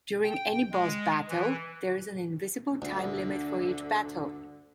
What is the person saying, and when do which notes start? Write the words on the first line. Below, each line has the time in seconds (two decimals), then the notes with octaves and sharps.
During any boss battle, there is an invisible time limit for each battle.
0.23 G5
0.72 G#3
1.29 E3
2.82 D2 D3